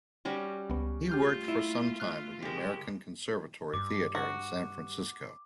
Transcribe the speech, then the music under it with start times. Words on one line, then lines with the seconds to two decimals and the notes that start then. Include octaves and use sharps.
He worked for some time with the American Conservatory Theater in San Francisco.
0.25 G3 C#4 F#4
0.70 C#2 B3
1.09 A3 F4 G4 F6 G6
1.48 E4
2.00 F6 F#6
2.42 C#3 G#3 G4 A#4
3.74 G2 D6
4.15 F#4